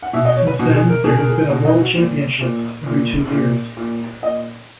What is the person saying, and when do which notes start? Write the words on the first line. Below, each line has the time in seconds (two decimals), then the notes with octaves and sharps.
Since then, there has been a World Championships every two years.
0.02 F#5
0.13 B2 E5
0.25 D#5
0.36 C#5
0.47 B4
0.59 B2 F#4
0.74 G#4
0.89 A#4
1.04 B2 G#4
1.16 A#4
1.29 G#4
1.49 B2 F#4
1.65 D#5
1.81 F#4
1.95 A#2
2.41 A#2
2.86 A#2
3.32 A#2
3.77 A#2
4.22 A#2 D#5